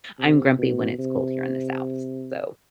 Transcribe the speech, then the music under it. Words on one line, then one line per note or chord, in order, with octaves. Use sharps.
I'm grumpy when it's cold here in the South, s so
C3
B2
C3